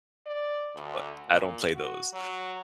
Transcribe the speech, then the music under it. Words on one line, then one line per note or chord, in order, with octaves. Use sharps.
but I don't play those,
D5
D2
A#2
F#4
F#3